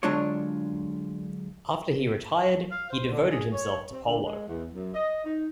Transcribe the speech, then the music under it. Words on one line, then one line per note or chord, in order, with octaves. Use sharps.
After he retired, he devoted himself to polo.
D3 F#3 G#3 D4 F4 C#5
F5
C5
D3
G#4
C#5
C4
D3
G#3
E2
F#2
D#5
D#4